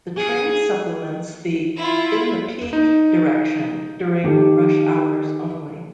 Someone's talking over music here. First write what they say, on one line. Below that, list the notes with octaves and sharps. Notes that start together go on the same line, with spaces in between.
The train supplements the in the peak direction during rush hours only.
G#4
E4 F4
D#4
D#3 G4 A4